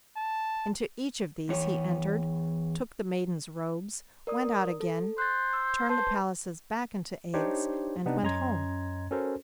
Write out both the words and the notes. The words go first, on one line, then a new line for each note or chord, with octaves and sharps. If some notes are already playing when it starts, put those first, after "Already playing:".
Into each of these he entered, took the maidens' robes, went out again, turned the palaces back into eggs, and went home.
A5
E2 C#5
A#4 D5 D#6
A4
C5 F#6 A6
E6 G6
B4 C5 A5
D4 D#4 G4 C5 C#5
C3 B3 D4 D#4
F#2 C#4 D#5 A#5 C6 G#6
C#4 F#4 A4 A#4 C5